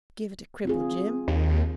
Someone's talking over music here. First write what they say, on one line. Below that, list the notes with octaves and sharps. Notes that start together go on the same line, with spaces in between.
"Give it to cripple Jim."
C4 F4 G#4
D#2